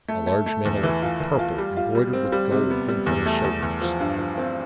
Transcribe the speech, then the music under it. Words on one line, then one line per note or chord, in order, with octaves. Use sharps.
A large mantle of purple embroidered with gold hung from his shoulders.
A3
A3
A3
E2
E3
F4
E3
F4
G3
F4
G3
C4
G3
C3
B3
G3
E2
A3
E2
E2
F3
G2
F3
C4